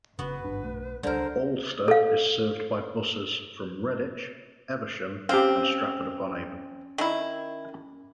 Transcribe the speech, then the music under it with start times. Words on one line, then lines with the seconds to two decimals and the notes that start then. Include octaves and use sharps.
Alcester is served by buses from Redditch, Evesham and Stratford upon Avon.
0.19 F#1 C#3 B3 F#4 B4
0.45 G#1 G2 D4
0.63 B1 A3
1.03 C#2 D3 G3 A#4 C5
1.88 A4 F5
5.29 C4 C#4 G4 F5
6.98 D#3 E4